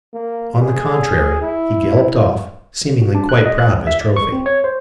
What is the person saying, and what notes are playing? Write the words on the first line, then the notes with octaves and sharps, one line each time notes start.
On the contrary, he galloped off; seemingly, quite proud of his trophy.
A#3
G#4
E4
F#4
D4
F#6
D#5
F#6
C#2
E5
D5
C#6
C4
C#5
C5